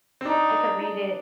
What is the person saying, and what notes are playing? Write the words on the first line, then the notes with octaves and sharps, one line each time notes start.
I could read it
C4
D4 D#4